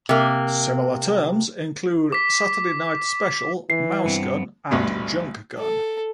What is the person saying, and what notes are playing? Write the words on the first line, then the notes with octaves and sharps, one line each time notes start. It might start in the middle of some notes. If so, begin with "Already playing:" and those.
Similar terms include Saturday night special, mousegun, and junk gun.
C3 A#3
D6 B6
E3 C7
G2 B3 C4
A1 D2 G2 B2
A4